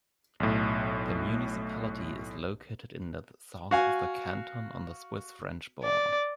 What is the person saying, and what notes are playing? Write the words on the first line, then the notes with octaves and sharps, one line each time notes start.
The municipality is located in the south of the Canton, on the Swiss-French border.
B1 A2
F#4 F5 G#5
D5